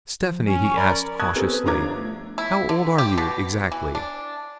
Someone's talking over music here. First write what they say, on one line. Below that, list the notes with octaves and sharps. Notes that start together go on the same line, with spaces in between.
"Stephanie," he asked, cautiously, "how old are you, exactly?"
F3
C#4
C#6
A#4 D5 B5
A5 C#6 D#6 E6 F#6 G#6
B3 C4 G4 A4 A#4
B4
G1 F3 D4 A#5 D6 G#6
A3
E4
D3
G4
B2
E3
D4